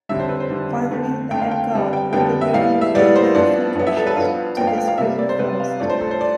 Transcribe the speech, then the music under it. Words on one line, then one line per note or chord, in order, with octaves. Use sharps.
Finally the head guard ordered Larina to deliver food rations to this prisoner first.
F2 D3 G3 E5
C5
B4
C5
F2 D3 G3
F2 D3 A3
F2 D3 A3 G5
F5
G5
F2 D3 G3 B3
G5
F2 D3 G3 B3 G5
E5
A2 G3 B3 F5
E5
A2 G3 B3 D5
C5
G2 F3 B3 D5
G2 F3 B3
E5
A4
B4
G2 F3 B3 F5
G2 F3 B3 G5
F5
G5
F5
C3 G3 B3 E5
D5
C5
C3 G3 B3 B4
F5
G2 F3 A3 D5
C5
A4
C5
D5